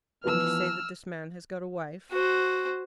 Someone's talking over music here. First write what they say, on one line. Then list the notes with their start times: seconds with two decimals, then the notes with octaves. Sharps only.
"And you say that this man has got a wife?"
0.24 E3 F3 B3 E6 F6
2.11 F#4 C5